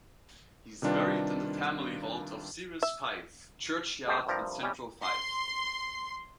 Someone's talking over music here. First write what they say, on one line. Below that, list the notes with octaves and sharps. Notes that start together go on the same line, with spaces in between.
He is buried in the family vault of Ceres, Fife churchyard in central Fife.
C3 D#3 G3 D4 F4 B4
E5
C#3 G3 A3 G4 A#4 C5
G2 C3 F3 G3 A#4
E3 G3 G#3 C#4
C6